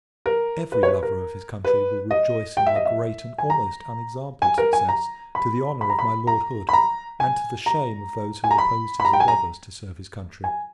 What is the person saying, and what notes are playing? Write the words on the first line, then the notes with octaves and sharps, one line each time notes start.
Every lover of his country will rejoice in our great and almost unexampled success, to the honour of my Lord Hood, and to the shame of those who opposed his endeavours to serve his country.
A#4
B4
C#5
B4
A#4
B4
D#5
G5
E5
D#5
E5
G#5
A#5
G#5
A#4
G#5
A#5
B5
B5
A#5
B5
A#5
B5
A#5
G#5
A#5
G#5
A#5
B5
B5
A#5
G5
G#5
A#5
G#5